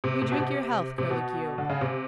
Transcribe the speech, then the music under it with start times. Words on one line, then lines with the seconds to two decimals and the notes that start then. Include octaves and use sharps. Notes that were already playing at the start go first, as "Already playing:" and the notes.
'We drink your health, Curlicue.
0.04 C3
0.22 C3
0.32 B2
0.39 C3
0.98 C3
1.10 B2
1.58 D3
1.69 C#3
1.81 C3